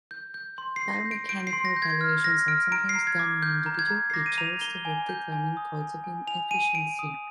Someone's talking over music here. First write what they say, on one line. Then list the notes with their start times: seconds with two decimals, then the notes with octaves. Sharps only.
Biomechanical evaluations are sometimes done on individual pitchers to help determine points of inefficiency.
0.11 G6
0.34 G6
0.58 C6
0.76 C7
0.82 G6
0.88 A#6
0.94 C7
1.05 G6
1.11 D7
1.29 G6 D7
1.40 D7
1.47 C7
1.53 C6
1.65 A#6
1.77 G6
1.82 G#6
2.01 F6
2.24 F6 A#6
2.48 F6 D7
2.72 A#5 D7
2.89 C7
2.95 A#5
3.07 G#6
3.19 D6
3.43 F6 G6
3.66 A#5
3.74 G6
3.79 G#6
3.90 A#5
4.10 C7
4.14 D6 A#6
4.26 D#7
4.38 A#5 F7
4.61 A#5 G7
4.85 G#5
5.09 G6
5.32 G#5
5.57 D#6
5.80 G#5
6.04 G#5
6.27 G#5 F7
6.51 G#5 D#7
6.75 G#5 D7
6.99 D#6